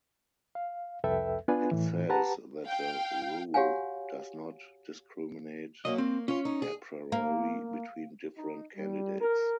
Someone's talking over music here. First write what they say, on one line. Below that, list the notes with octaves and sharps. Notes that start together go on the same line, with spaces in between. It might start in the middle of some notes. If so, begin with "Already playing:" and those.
It says that the rule does not discriminate apriori between different candidates.
F5
C2 F2 A4 B4 E5 G5
B3 D4 F4 B4 G#5
A2 E3
G4 B4 F#5 A5 A#5
F5 G5
F#4 G4 C#5 F5 F#5 G#5
F#3 A#3 C#4 D#5
A#3 C4
C#4 F4 C#5
D#4
G#4
A#3
D#4
G3
A#4